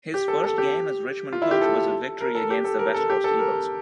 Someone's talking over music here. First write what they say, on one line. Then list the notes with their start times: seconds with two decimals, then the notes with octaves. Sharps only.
His first game as Richmond coach was a victory against the West Coast Eagles.
0.14 G4
0.28 A4
0.44 A4
0.58 G4
1.33 F4
1.42 E4
1.51 G4
1.62 A4
2.20 A#4
2.35 A4
2.50 G4
2.64 A4
2.79 A#4
2.94 A4
3.10 G4
3.24 A4
3.39 A#4